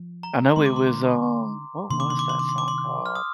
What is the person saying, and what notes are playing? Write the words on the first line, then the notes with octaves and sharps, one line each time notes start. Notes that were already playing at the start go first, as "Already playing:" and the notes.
I know it was, um What was that song called?
Already playing: F3
A#5
D3 G#3 C4 C6
D6
C6
C3 D#3 A#3 D4 C6
D6
C6
D6
C6
D6
C6
D6
C6
F6
D#6